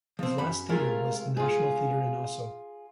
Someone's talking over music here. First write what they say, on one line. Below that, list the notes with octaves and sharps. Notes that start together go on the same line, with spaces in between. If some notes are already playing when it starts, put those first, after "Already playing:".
His last theater was the National Theater in Oslo.
F3 C4
F#2 B5
C3 G#3 A3 F4 A#4
F4 G#4